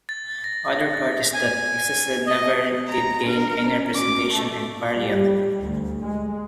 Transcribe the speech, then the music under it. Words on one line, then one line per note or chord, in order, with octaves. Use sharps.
Other parties that existed never did gain any representation in parliament.
A6
A#6
A6
G#5
D#5
A#5
D4 A#4 B4 F5
C#4 C5 A#5
C#4 F#4 D6
A3
G3
D2
G#3